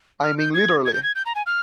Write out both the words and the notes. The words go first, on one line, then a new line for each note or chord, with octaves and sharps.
I mean literally.
F6
G6
G#6
G#6
G6
G#6
G6
A#5
G#5
F6